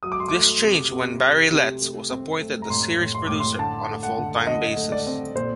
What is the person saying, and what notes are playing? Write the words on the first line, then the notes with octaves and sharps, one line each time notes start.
This changed when Barry Letts was appointed the series' producer on a full-time basis.
F#3 D#6
D6
C6
A3 D6
C3
C3
C3
C3
A3
C4
A3
A#5
A2 C6
A2
C6
A2 D6
C6
D3 A5
A3
F#5
D3
D3 D#5
A3
D5
C4
A#2 C5